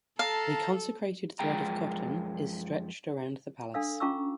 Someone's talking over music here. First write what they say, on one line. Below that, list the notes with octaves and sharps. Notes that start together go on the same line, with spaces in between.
A consecrated thread of cotton is stretched around the palace.
A4 F5 A5 A#5
F#2 F3 G#3 G#4 G5 A#5
D4 A4 F5 E6
C#4 F4 A#5 C#6 D6 E6